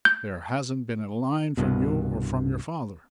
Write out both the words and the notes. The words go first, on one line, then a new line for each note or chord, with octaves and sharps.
There hasn't been a line from you or from your father.
G6
C2 G2 B2